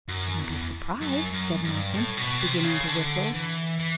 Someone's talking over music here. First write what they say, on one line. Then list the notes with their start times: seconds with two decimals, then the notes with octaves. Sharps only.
"Shouldn't be surprised," said Malcolm, beginning to whistle.
0.08 F#2
0.39 E2
1.01 F#2
1.32 F#2
1.64 G2
1.94 A2
2.17 B2
2.40 C3
2.63 C#3
2.87 D3
3.34 E3
3.80 E3